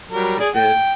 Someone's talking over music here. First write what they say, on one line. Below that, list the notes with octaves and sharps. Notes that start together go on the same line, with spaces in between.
It did?
F#3 G3 A#4
G#4 D5
G5